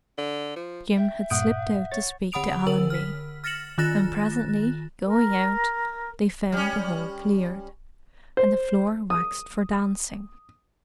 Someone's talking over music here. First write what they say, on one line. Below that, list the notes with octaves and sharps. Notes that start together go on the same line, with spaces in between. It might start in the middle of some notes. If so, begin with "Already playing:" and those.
Jim had slipped out to speak to Allenby: and presently, going out, they found the hall cleared, and the floor waxed for dancing.
D3
F3
E5 G5
G2 A#2 F#5 D#6 G6 D7
C#5 A6
D3 F#5 B5 D#6 D7 F7
D3 A#4 E6 F#7
F6 B6
F6 A6 A#6 C#7 E7 F#7
D#3 F4 F#6 A6 A#6 E7
A#4
G3 C#4
C5
D#6